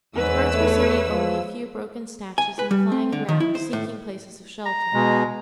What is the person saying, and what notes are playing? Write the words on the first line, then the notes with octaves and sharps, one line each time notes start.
The birds were singing only a few broken snatches, and flying around, seeking places of shelter.
E2 G#2 B4 C#5 E6
A3
F3
G#5
B4
G3
C4
D3
D#3
E4
C5
A2
A#5
B2 G#3